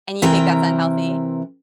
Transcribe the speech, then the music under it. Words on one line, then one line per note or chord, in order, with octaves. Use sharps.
And you think that's unhealthy?
C3 E3 A#4 G5 A#5